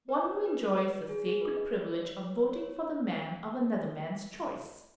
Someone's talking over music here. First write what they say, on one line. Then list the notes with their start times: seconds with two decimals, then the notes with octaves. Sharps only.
One who enjoys the sacred privilege of voting for the man of another man's choice.
0.09 B4
0.13 C#5
0.46 B4
1.09 G#4
1.25 G#4
1.41 B4
1.57 D#5
1.72 C#5
2.04 B4
2.20 C#5
2.52 C#5